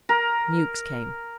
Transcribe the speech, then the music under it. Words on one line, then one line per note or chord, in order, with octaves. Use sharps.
Mewks came.
A#4